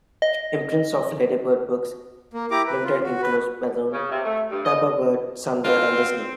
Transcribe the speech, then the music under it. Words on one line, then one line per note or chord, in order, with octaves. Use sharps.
Imprints of Ladybird Books Limited included Balloon, Paperbird, Sunbird and Disney.
D#5
A#3
E4 G4 A#5 D6
B4
F4
F#4
B4
C#3
C3
A3
G2
D#5
B3 C4 F4 A#4 F5